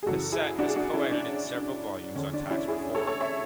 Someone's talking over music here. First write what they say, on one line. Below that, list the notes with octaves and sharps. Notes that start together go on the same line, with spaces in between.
Hassett has coedited several volumes on tax reform.
G#4
F#2 C#3 E3 F#4 A4
E4 G#4
D4 F#4
G#4
D4 F#4
C#4 E4
D4
E2 D3 C#4
D4
C#4 E4
E4 G#4
A4 C#5
A4 C#5
C#5 E5